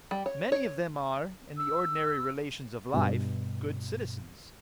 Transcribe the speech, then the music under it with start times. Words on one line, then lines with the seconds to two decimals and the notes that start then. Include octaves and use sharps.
Many of them are, in the ordinary relations of life, good citizens.
0.11 G3
0.26 C#5
0.52 C#5
1.57 E6
2.94 G2 B2